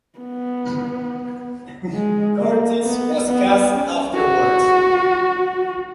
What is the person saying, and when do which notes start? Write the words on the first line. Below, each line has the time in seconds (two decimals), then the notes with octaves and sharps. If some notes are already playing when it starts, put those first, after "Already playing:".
Curtis was cast afterwards.
0.19 B3
1.94 G#3
2.39 A#3
2.83 B3
3.27 B3
3.72 C#4
4.15 F#4